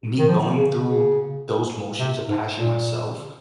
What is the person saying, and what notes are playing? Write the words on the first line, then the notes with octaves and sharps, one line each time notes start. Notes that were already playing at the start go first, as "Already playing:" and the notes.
me going through those motions of passion myself
D#3
F3
C#3
C#3
C3
G#2
A#2